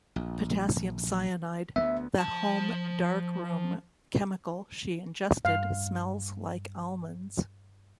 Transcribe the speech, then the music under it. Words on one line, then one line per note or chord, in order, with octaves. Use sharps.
Potassium cyanide, the home darkroom chemical she ingested, smells like almonds.
A#1
D2 A#3 B3 E5
F3 A5
G2 F5